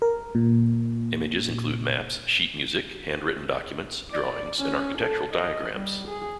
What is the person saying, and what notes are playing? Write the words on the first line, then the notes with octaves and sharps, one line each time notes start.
Images include maps, sheet music, handwritten documents, drawings and architectural diagrams.
A#4
A#2
D5
C#4
A4
D#5
G3
G#4